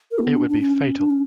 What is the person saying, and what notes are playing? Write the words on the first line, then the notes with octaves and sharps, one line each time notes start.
It would be fatal.
A#4
A#3
B3
D4
D4
C#4
D4
C#4